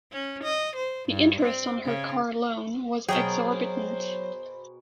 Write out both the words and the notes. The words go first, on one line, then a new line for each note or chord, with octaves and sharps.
The interest on her car loan was exorbitant.
C#4
D#5
C5
G2
C4
C#3
B2 F#3 G#4 A#4 C5 G5